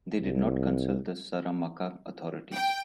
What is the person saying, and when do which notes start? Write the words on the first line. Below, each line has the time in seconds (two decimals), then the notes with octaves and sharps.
They did not consult the Saramaka authorities.
0.21 C2
2.54 G5